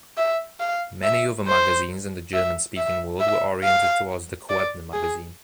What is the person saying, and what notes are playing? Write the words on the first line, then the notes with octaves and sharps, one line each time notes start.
Many other magazines in the German-speaking world were oriented towards the Koebner magazine.
E5
F5
E5
C5
E5
E5
E5
F5
D5
G#4